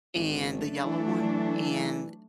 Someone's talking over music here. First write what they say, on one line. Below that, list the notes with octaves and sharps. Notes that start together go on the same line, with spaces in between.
and the yellow one, and
G#1
F#3 A3 D4
E3